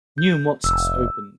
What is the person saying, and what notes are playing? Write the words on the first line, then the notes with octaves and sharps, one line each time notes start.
New mosques opened.
G6
F1 E6